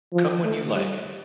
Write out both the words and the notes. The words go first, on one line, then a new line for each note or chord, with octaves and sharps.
Come when you like.
F3
A3
G3